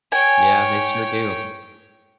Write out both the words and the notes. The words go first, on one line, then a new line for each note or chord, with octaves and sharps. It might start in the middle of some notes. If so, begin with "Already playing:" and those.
Yeah, they sure do.
C#5 G5 G#5